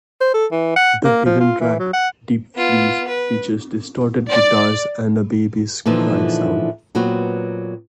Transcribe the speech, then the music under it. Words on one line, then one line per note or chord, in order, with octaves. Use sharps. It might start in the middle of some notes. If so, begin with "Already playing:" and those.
The hidden track "Deep Freeze" features distorted guitars and a baby's cry sound.
C5
A4
E3
F#5
A#3
F3
F4
E3
F#3
F#5
B3 F4
B4
D5
A#2 D3 E3 F3 D#4
A#2 F#3 B3 C4 F#4